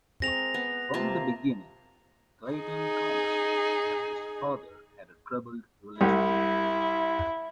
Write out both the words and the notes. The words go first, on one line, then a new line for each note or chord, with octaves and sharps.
From the beginning, Clayton-Thomas and his father had a troubled relationship.
G#3 C4 A#4 A#6 F7
B3
C3 A#3 F4 A5
D#4 G#4
C2 E4 G4 F#5